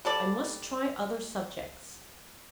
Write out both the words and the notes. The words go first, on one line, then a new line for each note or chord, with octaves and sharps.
"I must try other subjects."
G3 A4 D5